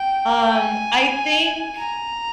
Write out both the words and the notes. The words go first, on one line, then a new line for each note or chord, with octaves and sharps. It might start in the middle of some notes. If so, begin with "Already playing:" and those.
Um, I think
Already playing: G5
G#5
A#5